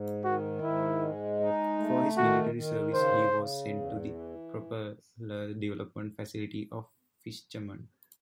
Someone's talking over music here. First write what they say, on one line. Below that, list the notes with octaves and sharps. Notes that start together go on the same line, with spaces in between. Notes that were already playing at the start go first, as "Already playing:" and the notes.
For his military service he was sent to the propeller development facility of Fischamend.
Already playing: G#2
D#3 F#4
G#2 E4
G#3
D#4
A3
D#3 F#4
D#3
C#3 C5
C#3
E2
E3